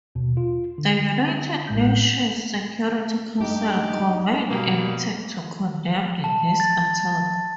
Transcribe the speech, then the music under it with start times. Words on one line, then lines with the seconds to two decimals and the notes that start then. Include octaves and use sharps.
The United Nations Security Council convened a meeting to condemn this attack.
0.15 D#2 B2
0.37 F4
0.78 D3
1.67 A1 A2 G#3 G6
3.41 G2 D#4 G4
4.50 B2 G3 A#3
6.24 A5
6.60 A6